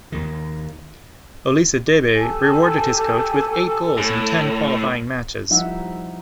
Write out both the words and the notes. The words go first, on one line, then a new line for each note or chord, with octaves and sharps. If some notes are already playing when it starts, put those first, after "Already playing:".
Olisadebe rewarded his coach with eight goals in ten qualifying matches.
D#2 D#3
G4 A4 G#5 A5
A2
F3 G3 D#4 E4 E5 F#5